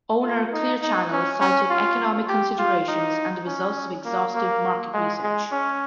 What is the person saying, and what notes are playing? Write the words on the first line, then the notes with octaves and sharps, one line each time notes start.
Owner Clear Channel cited economic considerations and the results of exhaustive market research.
F4
D#4
D#4
C#4
C#4
F4
G4
F4
D#4
C#4
A#3
A#3
G#3
G#3
C#4